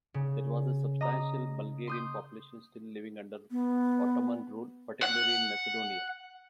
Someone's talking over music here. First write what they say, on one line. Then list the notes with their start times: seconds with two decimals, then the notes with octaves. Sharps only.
There was a substantial Bulgarian population still living under Ottoman rule, particularly in Macedonia.
0.14 C#3
1.01 D#5 A#5 D#6
1.87 C6 D#6 G6
3.51 B3
5.02 F#5